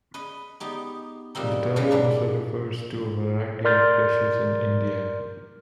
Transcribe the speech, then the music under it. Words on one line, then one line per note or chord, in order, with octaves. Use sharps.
The term also refers to a variety of dishes in India.
B4 D#5 B5
B3 D#4 G4
A#2 G3 C4 D#4
A#2 C#3 E3 G3 G#3
G#2 A#3 D4
A#4 D5 C6 F6 G6 A6